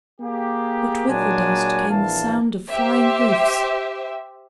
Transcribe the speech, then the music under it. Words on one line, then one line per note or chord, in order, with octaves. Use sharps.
But with the dust came the sound of flying hoofs.
A#3 G4 G#4
A#2 F#3 G#3 D4 G#5
A#1 E3 F5 A5
G4 C5 E5